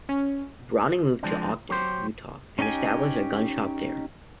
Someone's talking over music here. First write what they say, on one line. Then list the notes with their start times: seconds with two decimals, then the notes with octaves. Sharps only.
Browning moved to Ogden, Utah and established a gun shop there.
0.09 C#4
1.23 F3 G#3 C4 D4
1.70 F#3 G4 C5
2.59 C#4 D#4 G4 G#5